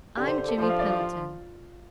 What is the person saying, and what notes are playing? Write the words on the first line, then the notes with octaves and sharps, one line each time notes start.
I'm Jimmy Pendleton.
D3 G4
C5
C5
A4
F3 C5
F5
D5
F4